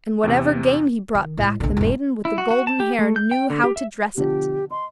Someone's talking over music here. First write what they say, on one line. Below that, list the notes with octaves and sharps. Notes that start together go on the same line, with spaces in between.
And whatever game he brought back the maiden with the golden hair knew how to dress it.
E2 C3
D#3
A2 G#3
A#1 D3
E1 G#2
E4
F#4
F#4
A5
G4
A3
G6
G5
D3
G4
E5
B2 D3 F3 G4
D#5 C6